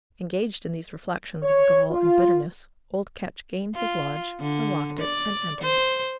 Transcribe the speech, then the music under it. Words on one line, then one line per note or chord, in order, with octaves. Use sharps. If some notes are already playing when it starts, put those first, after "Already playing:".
Engaged in these reflections of gall and bitterness, old Ketch gained his lodge, unlocked it, and entered.
C#5
F4
F4
D3
D5
C5